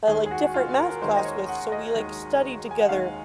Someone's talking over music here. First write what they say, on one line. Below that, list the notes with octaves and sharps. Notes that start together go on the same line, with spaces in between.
a, like, different math class with, so, we, like, studied together.
D#2 D#3 G#3 G#4
G#4
F#4
F4
A#4
A#4
D#2 D#3 G#3 C5
D#5
C#5
F#5
D#5
D#2 D#3 G#3
G#5
F#5
D#2 D#3 G#3 F5